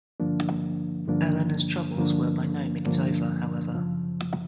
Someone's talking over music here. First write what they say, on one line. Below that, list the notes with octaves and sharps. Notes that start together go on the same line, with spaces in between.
Eleanor's troubles were by no means over, however.
G2 D3 F3 A#3 D4
G2 D3 F3 A#3 D4
G2 D3 F3 A#3 D4
G2 D3 F3 A#3 D4
F#2 C#3 F3